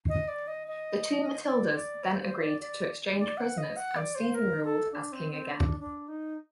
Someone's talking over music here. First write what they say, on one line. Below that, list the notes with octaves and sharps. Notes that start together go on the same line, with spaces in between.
The two Matildas then agreed to exchange prisoners and Stephen ruled as king again.
D#5
D5
D#5
D#5
D5
D5
C5
C5
D5
D5
D5
F#5
D#5
F#5
D5
C5
A#4
A4
D4
C4
C4
D4
D4
D#4